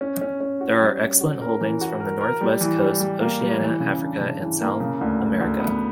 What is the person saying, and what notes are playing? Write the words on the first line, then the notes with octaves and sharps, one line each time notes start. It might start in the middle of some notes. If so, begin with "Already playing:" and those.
There are excellent holdings from the Northwest Coast, Oceania, Africa, and South America.
C#4
C#4
C#4
F#4
G3
C#4
F#4
A#4
E3
F#4
A#4
A#4
G3
E3
G3
G3
A#3
G3
E3
C#3
D4
C#3
E3
A#3
C#3
D2
D2
D2
B3